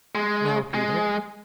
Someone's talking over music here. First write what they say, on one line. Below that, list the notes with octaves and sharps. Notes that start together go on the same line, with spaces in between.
"Well, Peter?"
G#3
G#3